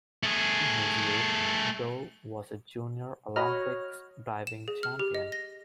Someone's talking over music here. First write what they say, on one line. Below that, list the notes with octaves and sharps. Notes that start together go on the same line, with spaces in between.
In his youth, Dow was a Junior Olympics diving champion.
A3 G#4
F#4 C#5 D#5 B5 F6
E7
G#4
F6
G4
D#5
A#6